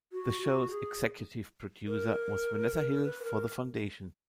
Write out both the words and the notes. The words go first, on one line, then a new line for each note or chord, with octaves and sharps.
The show's executive producer was Vanessa Hill for The Foundation.
F#4
F#4
G#4
A#4
B4
A#4